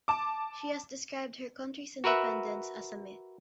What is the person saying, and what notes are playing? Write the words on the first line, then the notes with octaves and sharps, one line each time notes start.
She has described her country's independence as a "myth".
A5 D6
F#4 A#4 B4 E5 F#5